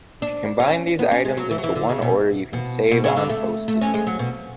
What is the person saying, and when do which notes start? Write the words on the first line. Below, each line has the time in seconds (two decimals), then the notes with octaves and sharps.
If you combine these items into one order, you can save on postage.
0.22 D4
0.60 C#4
0.99 B3
1.11 C#4
1.25 G#3
1.37 F#3
1.51 E3
1.58 F#3
1.63 E3
1.76 D3
1.89 C#3
2.02 B2
2.53 B2
2.91 B2
3.04 C#3
3.17 D3
3.29 A3
3.68 A3
3.81 C#4
3.94 G#3
4.07 F#3
4.19 B2